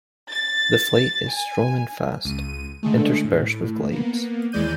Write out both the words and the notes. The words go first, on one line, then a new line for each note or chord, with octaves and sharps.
The flight is strong and fast, interspersed with glides.
A6
G#5
C#2 D#7
D3 G#3 A3
A2
A#3 B3
D#2 E3 G#3 D5 G6 D#7